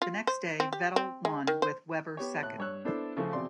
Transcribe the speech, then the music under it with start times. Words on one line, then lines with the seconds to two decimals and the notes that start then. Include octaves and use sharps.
The next day, Vettel won, with Webber second.
0.02 F4
0.27 C5
0.60 C4
0.73 G4
0.96 C4
1.25 G#3
1.47 D#3
1.62 C5
2.17 B3 G4 C#5
2.43 A2 F#6
2.58 G2 C#5 E6 F#6
2.85 B3 D4 E4 A4 C5
3.17 C#3 F3 A3 C#4
3.33 E2 B2 C4 G#4 D5 C6